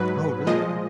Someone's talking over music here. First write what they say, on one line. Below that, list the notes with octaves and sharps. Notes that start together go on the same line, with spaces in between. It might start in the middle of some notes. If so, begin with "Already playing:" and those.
Oh, really?
Already playing: G#2 F#3 B4
A#2 F3 G#3 D#5